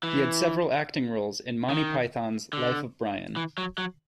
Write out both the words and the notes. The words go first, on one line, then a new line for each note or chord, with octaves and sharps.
He had several acting roles in "Monty Python's Life of Brian".
E3
D#3
D3
E3
F#3
F#3